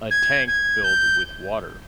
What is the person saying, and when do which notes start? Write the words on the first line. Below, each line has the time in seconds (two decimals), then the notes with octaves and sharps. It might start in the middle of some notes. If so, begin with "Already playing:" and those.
A tank filled with water.
0.10 G#6
0.47 G#6
0.84 G6